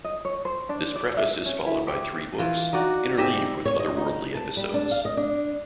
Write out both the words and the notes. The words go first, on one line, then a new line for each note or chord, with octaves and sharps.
This preface is followed by three books, interleaved with otherworldly episodes.
D#5
C#5
C5
D4
D5
E5
C#4
E4
G4
E3 F4
D#4 F#4 D5 F#5
G#2 G4 D#5 E5
C#5
D#5
D#4
A5
G3
D4
F5
D#5
D4